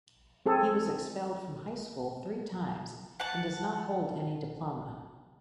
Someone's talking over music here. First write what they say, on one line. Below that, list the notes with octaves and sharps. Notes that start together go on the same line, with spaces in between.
He was expelled from high school three times and does not hold any diploma.
C4 G#4 A4
F#5 A5